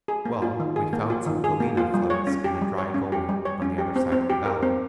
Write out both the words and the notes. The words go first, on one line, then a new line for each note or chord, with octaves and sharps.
Well, we found some galena "floats" in a dry gully on the other side of the valley.
G#4
A#3
F4
D#3
G#4
A#3
F4
D#3
G#4
A#3
F4
G3
C#5
C#4
G4
G3
C#5
C#4
G4
G3
C#5
C#4
G4
C4
C4
G4
A#4
C4